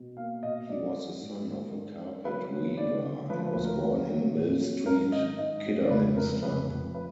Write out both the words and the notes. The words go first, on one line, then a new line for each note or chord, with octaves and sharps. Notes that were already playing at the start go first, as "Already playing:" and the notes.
He was the son of a carpet-weaver, and was born in Mill Street, Kidderminster.
Already playing: B2
A#3 F5
B2 D#5
F#3 D5
F#3
G#2
G#2
D4
D4
F#3 B4
F#3
D3 D5
D3
F3 B4
B4
D2
A#4
F#3
F#3
A#2
F#3
G#2 A#4
D#3 D#5
G#2 D#5
F#3
D5
F1 B4
F2 A#4
F1 B4
F2
B4